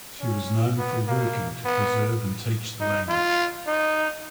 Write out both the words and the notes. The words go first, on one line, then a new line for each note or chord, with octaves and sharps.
She was known for working to preserve and teach the language.
C#4
B3
A#3
B3
D#4
F4
D#4